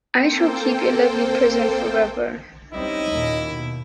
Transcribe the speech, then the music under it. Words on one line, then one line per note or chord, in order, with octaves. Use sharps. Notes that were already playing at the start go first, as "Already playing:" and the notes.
I shall keep your lovely present forever.
A#3 C4 A4 C5 G5
G3 C4 C#4 D#4 E4 D#5
D#2 A#2
B2